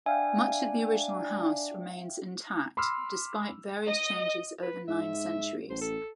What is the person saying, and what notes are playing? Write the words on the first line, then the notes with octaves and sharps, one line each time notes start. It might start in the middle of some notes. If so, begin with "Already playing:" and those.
Much of the original house remains intact despite various changes over nine centuries.
D4 E5 F5 G5 G#5
B5 C6 D6 E6 F6
D#5
B4
G#2 E5
A1 C5
A4